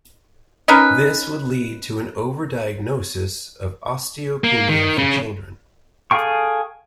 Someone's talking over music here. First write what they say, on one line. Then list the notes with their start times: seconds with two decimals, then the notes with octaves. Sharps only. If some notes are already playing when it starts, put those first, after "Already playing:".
This would lead to an over-diagnosis of osteopenia for children.
0.68 C#4 D#4 A#4 B4
4.44 A#3
4.69 D#3
4.98 C#3
6.11 G#4 A4 F5 G5 C#6